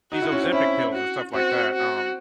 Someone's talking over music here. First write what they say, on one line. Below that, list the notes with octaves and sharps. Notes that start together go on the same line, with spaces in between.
these Ozempic pills and stuff like that, um
D#4 F#4
E4
C#4
C4
C#4 E4
F#4
C4 F#4
F#4